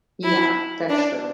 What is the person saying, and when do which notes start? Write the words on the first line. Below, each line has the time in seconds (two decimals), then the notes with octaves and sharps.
Yeah, that's true.
0.23 E4
0.89 D4